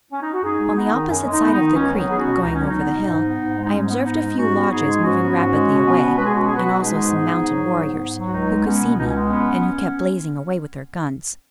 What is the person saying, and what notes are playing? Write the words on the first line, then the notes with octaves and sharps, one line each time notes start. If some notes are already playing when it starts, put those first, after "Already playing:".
On the opposite side of the creek, going over the hill, I observed a few lodges moving rapidly away, and also some mounted warriors, who could see me, and who kept blazing away with their guns.
C#4
D#4
F#4
F#2 D#4 G#4
G#3
B3 D#4
D#3
F#2 C#4
G#3
D#4
B3
D#4
D#3
C#2 C#4
F#3
D#4
B3 G#4
C#4 F#4
B2
C#2 D#4
F#3 C#4
B3 D#4
B2
G#2
B3
G#2
G#3
D#4
G#2 C#4
B3
G#2 D#4
G#3
G#2 C#4 F#4
B3
G#2 D#4 G#4
G#3
G#2 C#4 F#4
B3
G#2
G#3
B2
B3
B2
G#3 B4
G#4
B2 C#4 F#4
B3 G#4
F#4 B4
B2
D#4 G#4
G#3
G#2
B3
G#2
F#3
G#2
B3
G#2
F#3
F#4
C#2 D#4
G#3
B3 C#4
B2
C#2 D#4
C#4
G#3
B3 C#4